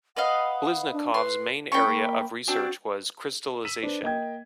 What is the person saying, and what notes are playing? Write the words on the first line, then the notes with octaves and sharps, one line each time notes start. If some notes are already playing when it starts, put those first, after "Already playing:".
Bliznakov's main area of research was crystallization.
B4 D#5 F5 F#5
D4
B4 C6
C#4 G5 B5 C#6
A#3
C4 D4 F#4
E6 B6 D#7 E7 F#7
D4 B4 C5
A#3 D#5 G5 G#6